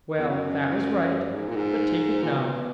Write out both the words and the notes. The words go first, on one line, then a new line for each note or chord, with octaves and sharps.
Well, that was right, but take it now.
E2
F#2
G#2
A#2
G#2
A#2
B2